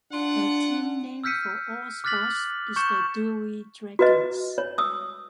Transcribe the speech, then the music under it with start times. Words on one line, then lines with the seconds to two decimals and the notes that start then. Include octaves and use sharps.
The team name for all sports is "The Dewey Dragons".
0.12 D4 F4 F#5
1.24 E6 F6 G6 B6 C#7 D#7
2.04 D6 F6 F#6 A6 B6 F#7
2.76 C#6 G6 C#7 E7
3.99 F#4 B4 D#5
4.58 C#5
4.78 D#6 E6